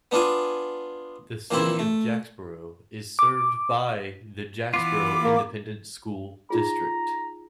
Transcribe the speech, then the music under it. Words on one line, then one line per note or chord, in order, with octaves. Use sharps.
The City of Jacksboro is served by the Jacksboro Independent School District.
B3 D4 F4 G#5
A#2 E3 C4 E4
A3
D6
E3 B3 F4 D6
A#3
D#4 F4 G#4 A#5